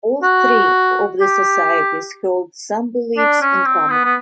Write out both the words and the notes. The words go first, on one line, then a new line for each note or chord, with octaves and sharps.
All three of the Societies held some beliefs in common.
F#4
G4
D4
C#4
C4
B3
B3